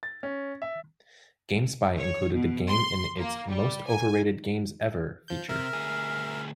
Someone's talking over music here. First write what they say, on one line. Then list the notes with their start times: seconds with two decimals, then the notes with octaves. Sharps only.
GameSpy included the game in its "Most Overrated Games Ever" feature.
0.03 A6
0.23 C#4
0.62 E5
1.97 C#5
2.34 B2
2.68 C6
3.17 A#3
3.48 G3
3.87 G#5
5.28 F3 G6
5.49 C3 A#4 E5 F6
5.73 D2 G#4